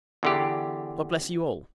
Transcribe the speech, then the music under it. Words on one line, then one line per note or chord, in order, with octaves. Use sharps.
God bless you all!
E2 D3 G4